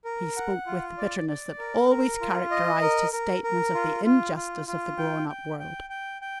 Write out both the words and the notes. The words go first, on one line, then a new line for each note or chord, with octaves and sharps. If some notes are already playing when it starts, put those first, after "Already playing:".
He spoke with the bitterness that always characterised his statements of the injustice of the grown-up world.
A#4
F#5
F4
D5
D5
A#4
A#4
F4
D#5
A#4
A#4
A#4
F4
F4
F4
F4
G5
G5
G5
G5
G5